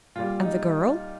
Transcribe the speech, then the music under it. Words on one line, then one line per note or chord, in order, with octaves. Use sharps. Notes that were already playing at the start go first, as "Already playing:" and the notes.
"And the girl?"
A#2 G3 F4
D#4